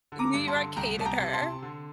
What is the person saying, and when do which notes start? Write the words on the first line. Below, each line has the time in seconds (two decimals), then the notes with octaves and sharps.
New York hated her.
0.12 D3
0.19 A#5 D6
0.34 G2
0.48 A5 C6
0.56 D3
0.76 C2 G5 A#5
0.98 C2 A5
1.05 G5 A#5
1.19 C3
1.33 A5 C6
1.41 C3
1.62 D3